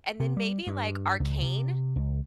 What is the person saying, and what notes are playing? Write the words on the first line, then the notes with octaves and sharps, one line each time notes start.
And then maybe like Arcane?
C3
G3
G2
C#2
C3
C#2